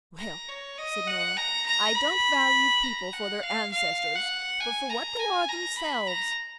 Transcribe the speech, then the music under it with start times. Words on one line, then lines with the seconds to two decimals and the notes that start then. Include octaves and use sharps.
"Well," said Nora, "I don't value people for their ancestors, but for what they are themselves."
0.19 A#5
0.49 C#5
0.78 D#5
1.08 F#5
1.37 A#5
1.66 A#5
1.95 B5
2.83 A#5
3.13 F#5
3.43 F5
3.71 F5
4.16 F#5
4.60 G#5
4.90 A#5
5.19 G#5
5.48 A#5
5.78 B5
6.07 A#5